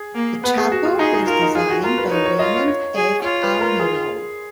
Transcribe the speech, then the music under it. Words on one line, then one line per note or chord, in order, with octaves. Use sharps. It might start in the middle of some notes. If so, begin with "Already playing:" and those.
The chapel was designed by Raymond F. Almirall.
Already playing: G#4
A#3
B3 B4
G#4
F#4
F4
D#4 G#4
D#4
F4 A#4
D#4
F4 G#4
F#4
F4 A#4
B4
D#4 C#5
C#5
F4 D#5
C#5
C#5
G#4
F4 C#5
B4
A#4
G#4